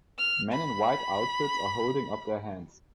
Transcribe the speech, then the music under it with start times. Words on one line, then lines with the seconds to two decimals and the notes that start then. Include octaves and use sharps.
Men in white outfits are holding up their hands.
0.18 F6
0.52 B5